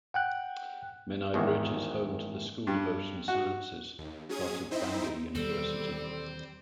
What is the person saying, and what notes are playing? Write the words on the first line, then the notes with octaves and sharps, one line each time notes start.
Menai Bridge is home to the School of Ocean Sciences, part of Bangor University.
F#5 G5 F#6
G#1 E2 D#3
G2
F#4
D#2
F#3 C#4 G#4 D#6 G#6
C4 D#4 E4 C5 D#5 E5
D#2 B2 E3 G3 C4 A4